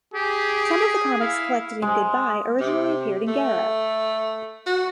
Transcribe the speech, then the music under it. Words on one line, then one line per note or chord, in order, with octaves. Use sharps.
Some of the comics collected in "Good-Bye" originally appeared in "Garo".
G4 G#4
E4 F5
G#3
C3
A3
F#4